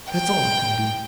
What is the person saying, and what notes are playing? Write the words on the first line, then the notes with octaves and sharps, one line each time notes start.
That's all I can do.
G5